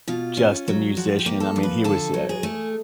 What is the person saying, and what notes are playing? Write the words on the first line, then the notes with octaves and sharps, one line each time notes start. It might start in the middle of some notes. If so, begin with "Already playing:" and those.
just a musician, I mean, he was a
B2 F4
C#4
F#3
F3 F#4
G4
A#3
A4
F3
B4
D3 A4
F#3
G#4
A3